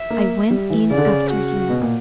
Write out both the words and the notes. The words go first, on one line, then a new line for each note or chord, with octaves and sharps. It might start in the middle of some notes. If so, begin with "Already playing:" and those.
"I went in after you."
Already playing: E5
A#3
G3
E3
C#3 D5
D3
C#3
F#4
B2
A#2